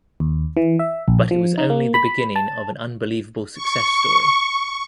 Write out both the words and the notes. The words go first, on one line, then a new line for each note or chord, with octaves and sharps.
But it was only the beginning of an unbelievable success story.
D#2
E3
E5
A#1
F3
D#4
A#3
B5
A5
C#6